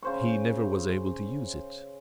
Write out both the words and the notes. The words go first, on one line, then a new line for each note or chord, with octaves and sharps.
He never was able to use it.
C#3 C5 C#6